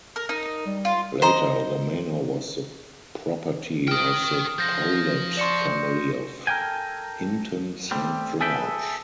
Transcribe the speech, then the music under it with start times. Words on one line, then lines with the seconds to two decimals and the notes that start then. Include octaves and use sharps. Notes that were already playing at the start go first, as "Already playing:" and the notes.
Later the manor was the property of the Powlett family of Hinton Saint George.
0.16 A#4
0.29 D#4 A#4
0.66 G3
0.85 F4
1.22 C5 D#5 A#5
3.88 A#4 G5 D#6 F6 D7
4.58 F3 G6 A#6
5.37 D5 C6 C#6 C#7 E7
6.47 A4 A#4 D5 G5 G#5
7.91 G3 A3 C4 G4
8.41 G#4 A4 B4 E5 G5